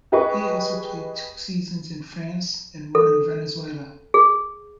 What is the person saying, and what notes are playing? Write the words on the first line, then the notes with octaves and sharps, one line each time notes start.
He also played two seasons in France, and one in Venezuela.
G4 G#4 B4 D#5 C#6
A4
G#4